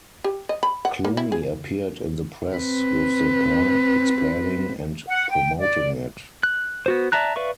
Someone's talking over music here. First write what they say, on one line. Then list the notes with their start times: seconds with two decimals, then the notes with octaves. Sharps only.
Clooney appeared in the press with the car, explaining and promoting it.
0.24 G4
0.49 D#5
0.63 B5
0.85 F#5
1.05 A#3
1.17 E4
1.32 G#4
2.53 C4 B4
5.08 F#5
5.31 G5
5.59 D5
6.43 F#6
6.86 B3 F#4 C5
7.12 D5 E5 A5 A#5 F#6
7.36 B4 D5 E5 F5 C#6